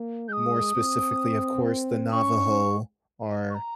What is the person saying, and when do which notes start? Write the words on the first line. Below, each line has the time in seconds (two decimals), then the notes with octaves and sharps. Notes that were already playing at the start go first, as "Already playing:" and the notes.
more specifically, of course, the Navajo are,
Already playing: A#3
0.28 G#3 D#6 G6
0.75 C4
2.12 C#4 C#6
3.50 C#6
3.54 A#5